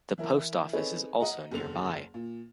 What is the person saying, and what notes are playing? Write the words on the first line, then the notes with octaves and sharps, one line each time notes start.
The post office is also nearby.
E3 E4 A#4
C4 D#4 G#4 A4 B4 C#5
D#5 F#5 A#5
F#1 E2 D3 F7
A#2